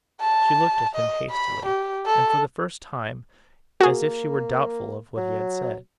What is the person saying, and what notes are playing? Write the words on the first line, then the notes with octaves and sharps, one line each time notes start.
She looked at him hastily, and for the first time, as if she were doubtful of what he had said.
A5
D#5
B5
G4
A4
A#3 F#4 G#4
F#3